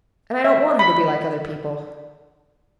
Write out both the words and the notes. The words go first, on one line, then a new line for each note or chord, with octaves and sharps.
And I don't want her to be like other people.
E5
B5